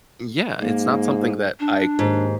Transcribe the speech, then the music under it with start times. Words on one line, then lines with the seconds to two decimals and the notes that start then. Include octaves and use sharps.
yeah, it's not something that I
0.60 G#2 A#3
1.60 D4
1.99 D#2 G#2